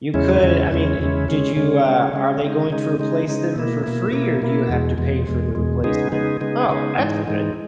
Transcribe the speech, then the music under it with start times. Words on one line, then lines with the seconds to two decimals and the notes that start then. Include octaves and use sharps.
you could I mean, eh, did you, uh, are they going to replace them for free or do you have to pay for the replacement? Oh, that's good.
0.14 E2 C#3 G#3 C#4 E4
0.43 E2 C#3 G#3 C#4 E4
0.72 E2 C#3 G#3 C#4 E4
0.99 E2 C#3 G#3 C#4 E4
1.28 C#3 G#3 C#4
1.56 C#3 G#3 C#4
1.85 C#3 G#3 C#4
2.13 C#3 G#3 C#4
2.42 C#3 G#3 D#4
2.70 C#3 G#3 D#4
2.99 C#3 G#3 D#4
3.28 C#3 G#3 D#4
3.56 B2 A#3 E4
3.84 B2 A#3 E4
4.13 B2 A#3 E4
4.42 B2 A#3 E4
4.69 E2 B2 G#3
4.98 E2 B2 G#3
5.27 E2 B2 G#3
5.55 E2 B2 G#3
5.84 C#3 G#3 B3 D#4 G#4
6.12 C#3 G#3 B3 D#4 G#4
6.41 C#3 G#3 B3 D#4 G#4
6.69 C#3 G#3 B3 D#4 G#4
6.97 G#2 E3 G#3 D#4
7.26 G#2 E3 G#3 D#4